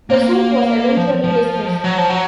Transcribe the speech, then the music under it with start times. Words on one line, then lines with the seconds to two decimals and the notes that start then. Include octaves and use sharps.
The suit was eventually dismissed.
0.10 A#3
0.97 F3
1.24 F3
1.84 F#3
1.98 F3
2.10 F#3